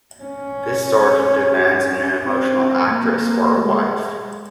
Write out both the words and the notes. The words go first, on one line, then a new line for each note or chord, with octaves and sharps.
This sort demands an emotional actress for a wife.
C#4
C4
A#3
G#3